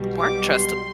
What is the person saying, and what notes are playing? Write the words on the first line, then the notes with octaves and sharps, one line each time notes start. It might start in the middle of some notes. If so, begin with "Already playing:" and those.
weren't trusta
Already playing: B1 B2 G3
D6
C6